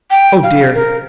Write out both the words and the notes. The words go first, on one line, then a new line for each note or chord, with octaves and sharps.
Oh! dear.
G5
F5
A#4